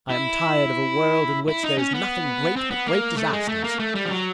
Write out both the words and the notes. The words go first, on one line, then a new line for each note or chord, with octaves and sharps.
I am tired of a world in which there is nothing great but great disasters.
E4
E4
D#4
C#4
B3
C4
B3
A#3
A3
G#3
A3
A#3
A3
G3
F3
F#3